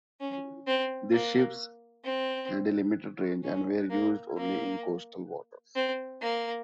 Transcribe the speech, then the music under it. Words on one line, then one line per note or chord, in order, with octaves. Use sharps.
These ships had a limited range and were used only in coastal waters.
C#4
C4
A#3
C4
C#4
A#3
A#3
C4
A#3